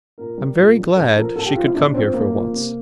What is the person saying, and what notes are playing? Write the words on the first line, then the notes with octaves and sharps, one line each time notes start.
I'm very glad she could come here for once.
A#2 A#4
G3
A#2
G3
A2 A4
F3 A#4
A2 A4
G4
F3 F4
E4
A2 D4
F3 C4
A2 A#3
F3
C3